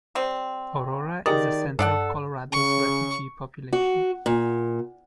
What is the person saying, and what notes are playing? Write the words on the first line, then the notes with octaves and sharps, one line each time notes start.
Aurora is a center of Colorado's refugee population.
G3 C4
D#3 G4 G#4 A#4 D5 D#5
G2 D4 A4 D5 F#5
C#3 C#6
F#4
A#2